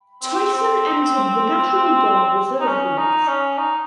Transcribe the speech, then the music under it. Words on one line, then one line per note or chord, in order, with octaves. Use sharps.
Tyson entered the National Guard reserve units.
C4
C4
D#4
C#4
D#4
C#4
D#4